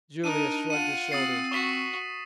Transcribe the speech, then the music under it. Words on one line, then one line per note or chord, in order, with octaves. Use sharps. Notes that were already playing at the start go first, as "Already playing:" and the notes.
Julius shrugged his shoulders.
D4 D#4 A#4 D#7
F4 F#5 D#7
C4 D#6 A6 C7
F#4 C#6 B6